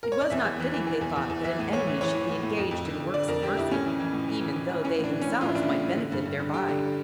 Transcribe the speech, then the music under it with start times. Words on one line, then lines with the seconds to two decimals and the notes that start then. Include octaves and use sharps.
It was not fitting, they thought, that an enemy should be engaged in works of mercy, even though they themselves might benefit thereby.
0.03 A#4
0.12 C#5
0.21 D5
0.30 E2 E5
0.45 E2
0.60 E3
0.74 E3
0.87 E3
1.01 E2
1.16 E2
1.30 E2
1.44 E3 E5
1.59 A2
1.72 A2 C#5
1.87 E3
2.01 E3 C#5
2.15 E3
2.29 A2
2.43 A2
2.57 F2
2.71 F2
2.85 D3
3.00 F2
3.14 D3 D5
3.28 F2 A#4
3.42 D3 G4
3.57 F2 E4
3.71 A2 C#4
3.86 E3
4.00 E3
4.13 A2
4.28 E3
4.41 E3
4.56 E3
4.69 E3
4.84 E3 C#4
4.99 A2
5.04 D4
5.12 E3
5.21 C#4
5.27 A2
5.41 A2 F4
5.49 E4
5.55 E3 D4
5.63 E4
5.69 A2
5.83 A2
5.97 D3
6.12 G2
6.25 G2
6.40 D3
6.54 D3 G4
6.69 D3